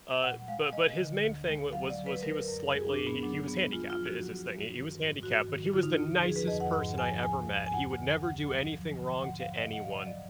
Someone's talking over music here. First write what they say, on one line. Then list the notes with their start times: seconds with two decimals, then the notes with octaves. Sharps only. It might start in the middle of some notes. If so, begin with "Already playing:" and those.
Uh, but but his main thing w was was he was slightly he he was handicapped i is his thing. He he was handicapped, but he was the nicest person I ever met, he would never do anything wrong to anyone
0.23 A#2 F#5
0.48 G#3 F5
0.72 G#3 D#5
0.98 D3
1.23 D2
1.48 G#3
1.73 F#3 F5
1.90 D5
1.97 F#3
2.06 B4
2.22 G#3 A#4
2.48 F#2
2.73 G#3 G#4
2.89 D4
2.98 A#2
3.07 B3
3.23 F#3 D4
3.48 F#3 B3
3.73 G#3 F4
3.90 F4
3.98 F3
4.06 F#4
4.23 F#3
4.48 F#2
4.73 D#3
4.97 G#2
5.23 G#2 F#4
5.48 D#3
5.73 D3 F4
5.83 D#4
5.93 D#2 F4
6.22 F3 G#4
6.36 B4
6.47 F2 D#5
6.60 F#5
6.72 G#2 F#5
6.98 F3 G#5
7.23 D2 G#5
7.48 D2
7.67 G#5
7.73 F2 F#5
7.97 D3
8.23 D2 F#5
8.48 F#3
8.73 F3
8.98 D3
9.23 G#2 F#5
9.40 F5
9.48 G#2
9.56 D#5
9.73 A#2 F#5
9.83 F5
9.90 D#5
9.98 F#3
10.07 D5